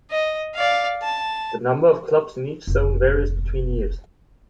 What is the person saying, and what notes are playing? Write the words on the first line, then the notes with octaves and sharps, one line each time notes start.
The number of clubs in each zone varies between years.
D#5
D5 F5
A5
F1 A#1